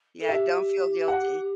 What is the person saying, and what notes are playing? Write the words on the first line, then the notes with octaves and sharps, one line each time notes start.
Yeah, don't feel guilty.
A4
G4 E5
F#5